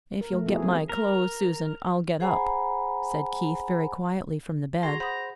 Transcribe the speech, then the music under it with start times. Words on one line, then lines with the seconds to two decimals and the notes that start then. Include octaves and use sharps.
"If you'll get my clothes, Susan, I'll get up," said Keith very quietly from the bed.
0.21 A#4
0.33 A3
0.46 F3 B3 E4 F#4 G#4
0.62 F#3 C4
0.89 A#4
2.20 G#4 C5 F#5 G#5 A#5 B5
4.83 F#4 G#4 A#5 C6
5.00 C5 F#5 B5 D#6